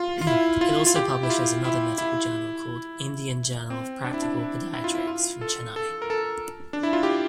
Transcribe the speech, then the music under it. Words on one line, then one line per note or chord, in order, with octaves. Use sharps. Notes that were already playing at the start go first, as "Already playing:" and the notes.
It also publishes another medical journal called Indian Journal of Practical Pediatrics from Chennai.
Already playing: F4
F4
E4
F4
F4
G4
E4
F4
E4
E4
C4
D4
E4
D4
E4
E4
F4
E4
F4
A4
A4
A#4
A4
D4
E4
F4
G4